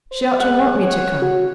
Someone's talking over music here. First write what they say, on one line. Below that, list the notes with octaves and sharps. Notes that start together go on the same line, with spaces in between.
She ought to want me to come.
C5
G#3 F#5
C#5
F#4